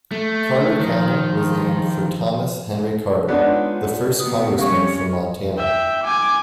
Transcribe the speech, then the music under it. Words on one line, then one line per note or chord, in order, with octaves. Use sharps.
Carter County was named for Thomas Henry Carter, the first congressman from Montana.
A3
D#3 F3
G#3 B3 D4 D#4 F4 C#5 D5 F#5
B2 D#3 A3 A#3 D#6
C3 G3 C#4 C#5 F5 C#6
E5 G5
G#5 D6